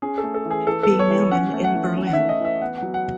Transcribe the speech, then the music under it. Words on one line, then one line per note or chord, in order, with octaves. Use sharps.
B. Neumann in Berlin.
C#4 G#4
A4
A3
A4
E3
G#4
E3 A4
A4
B3
C#5
E3
C#4 F#5
A3
F#5
E3
C#4
F#5
E5
A3
D#5
E3 E5
B3 F#5
F#3 F#5
F#5